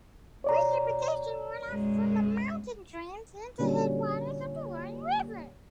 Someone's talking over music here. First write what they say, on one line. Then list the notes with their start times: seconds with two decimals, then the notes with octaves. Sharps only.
Precipitation runoff from the mountain drains into headwaters of the Roaring River.
0.44 B2 C#5 D5 A#5
1.66 F#2 B2 G#3
3.59 A#2 D3 F#3 G3 C#4